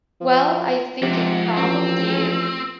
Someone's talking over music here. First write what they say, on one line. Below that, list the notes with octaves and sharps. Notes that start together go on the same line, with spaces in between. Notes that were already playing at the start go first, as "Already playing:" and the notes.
Well, I think it probably i
F3
G#2 C3 F3
A1 C4